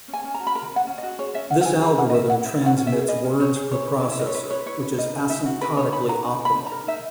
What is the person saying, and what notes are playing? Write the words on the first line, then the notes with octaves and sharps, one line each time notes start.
This algorithm transmits words per processor, which is asymptotically optimal.
C#4
G#5
C#4
A#5
F#4
B5
A#4 A#5
C#4 F#5
C#4
D#5
F#4
G#4 C#5
C#4 E5
C#4 F#5
F#5
E4 G#5
G#4 A#5
C#4 F#5
D#5
C#4 E5
E4 F#5
B4 E5
C#4
F#5
C#4
E5
G#4
B4 D#5
C#4
C#4 C#5
G#4
E4 C#5
B4
E4
E5
B4 D#5
C#5
E4 B4
B4 C#5
E4 C#5
B4
A#4 D#5
D#4
D#4 E5
F#4
A#4 B4
D#4 C#5
D#4 B5
F#4 A#5
D#4
A#4
B5
D#4
A#5
A#4
D#4 E5